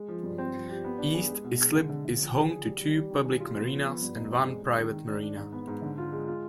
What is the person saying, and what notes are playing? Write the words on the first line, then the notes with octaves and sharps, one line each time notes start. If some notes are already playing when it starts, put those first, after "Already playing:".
East Islip is home to two public marinas and one private marina.
Already playing: G#3
F3
G2
C4
F3
G4
B3
D4
G#4
G#3
B2
G#3
D3
D3
D3
F3
G#4
G#4
G3
G3
G3
D#3
G#4
F4
B3
F3
B3
G2
D#4
C4
G#3
G#3
D#3
D#3
D4
D4
G#2
B3
G#2
D3
F4
G#3
F4